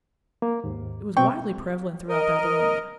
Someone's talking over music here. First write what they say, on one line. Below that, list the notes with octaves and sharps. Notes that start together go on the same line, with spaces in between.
It was widely prevalent throughout Babylonia.
A#3
D#2 G#2
B2 C4 G5 C#6
A#4 D#5